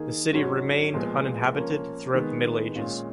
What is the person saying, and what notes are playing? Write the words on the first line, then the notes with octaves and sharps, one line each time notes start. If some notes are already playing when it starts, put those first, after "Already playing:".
The city remained inhabited throughout the Middle Ages.
Already playing: D#3 A#3 D#4 G#4
G#2 F#3 C#4 F#4
A#2 F3 G#3 B3
F3 A#3 C#4
D#3 G#3 B3
A#2 G#3 C#4 F4